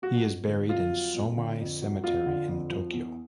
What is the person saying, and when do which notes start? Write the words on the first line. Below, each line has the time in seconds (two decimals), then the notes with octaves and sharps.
He is buried in Somei cemetery in Tokyo.
0.02 F#3 F#4
0.25 F2
0.48 D3
0.69 F2 F4
0.93 F#3
1.14 F2
1.37 D3
1.59 F2
1.82 F#3
2.04 F2 F4
2.26 D3
2.48 F2
2.70 F3
2.92 E2